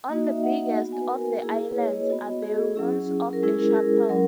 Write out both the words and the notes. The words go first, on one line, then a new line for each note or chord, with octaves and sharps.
On the biggest of the islands are the ruins of a chapel.
A#3 D#4 F#4 D#5
E5
F#5
B3 F#4
G#5
B4
A#4
A#4
A#3 E4 G#4
G#4
B4
C#5
C#5
D#5
B3 F#4 D#5
G#4
F#3 C#4 E4 G#4
A#4
G#3 C#4 E4 G#4
A#4
G#4
A#4
F#3 C#4 A#4